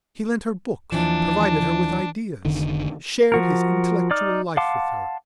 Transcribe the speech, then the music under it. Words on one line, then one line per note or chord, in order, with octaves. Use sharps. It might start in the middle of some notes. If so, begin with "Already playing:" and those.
He lent her books, provided her with ideas, shared his intellectual life with her.
D#2 E3 F3 D4
F1 D3 D#3
F3 F#4 A#4
D#4 D5 D6 F6
F5 F#5 A5 C6 D6